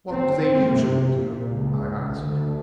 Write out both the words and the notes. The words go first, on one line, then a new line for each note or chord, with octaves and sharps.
"What do they usually do?" I asked.
C4
C3
A#2
C#2
D2